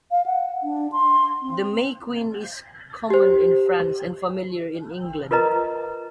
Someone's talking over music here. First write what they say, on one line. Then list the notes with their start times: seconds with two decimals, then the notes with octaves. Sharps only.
The May Queen is common in France and familiar in England.
0.11 F5
0.26 F#5
0.63 D4
0.92 C6
1.42 C4
3.10 G4 C5
5.31 F4 A#4 B4 D#5 A#5